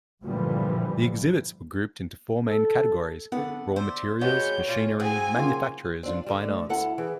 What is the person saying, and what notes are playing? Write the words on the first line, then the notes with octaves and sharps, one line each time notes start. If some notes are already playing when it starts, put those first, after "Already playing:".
The exhibits were grouped into four main categories-Raw Materials, Machinery, Manufacturers and Fine Arts.
G2 A#2 D3 E3 F3 G3
A4
D3 B3 F#5
C5 D5 E5
C3 G#3 B3 F#4 C#5 G6
A#2 F4
C4 F#4 G#4 G#5
C#3 A#3 F4 C6
C4 D4 F4
D3 G3
A3
D2 E4 A4 F#5
E3 G#4